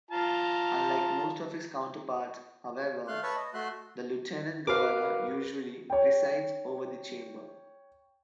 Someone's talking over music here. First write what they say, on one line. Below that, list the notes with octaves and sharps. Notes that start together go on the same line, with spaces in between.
Unlike most of his counterparts, however, the lieutenant governor usually presides over the chamber.
F4 A5 A#5
A3 F5 C6 F#6
B4 C#5 A5 B5 C#6 E6
D#5
A3 F#4 E5 C6 F#6
F#4 A#4 B4 F5 D6
C#5 G5